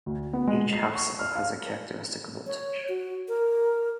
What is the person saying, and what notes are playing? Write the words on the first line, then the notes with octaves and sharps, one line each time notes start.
Each half-cell has a characteristic voltage.
D2
B3
G#3
C7
C#6
F6
F5
C#5
F#4
A#4